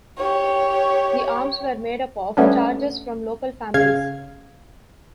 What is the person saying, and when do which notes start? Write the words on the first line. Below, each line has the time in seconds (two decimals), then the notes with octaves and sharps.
The arms were made up of "charges" from local families.
0.18 G4 C#5
2.37 G3 A3 B3 C#4 D4
3.74 C#3 F5 G#6